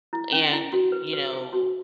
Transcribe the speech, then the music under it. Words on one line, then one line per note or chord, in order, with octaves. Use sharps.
and, you know
E4
C#4
E4
F#4
B4
B4
G#4
F#4